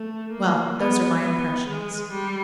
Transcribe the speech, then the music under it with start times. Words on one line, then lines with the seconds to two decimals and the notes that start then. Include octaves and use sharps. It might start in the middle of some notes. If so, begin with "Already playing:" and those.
Well, those are my impressions.
Already playing: A3
0.32 A#3
0.78 B3
1.22 B3
1.68 G#3
2.12 G3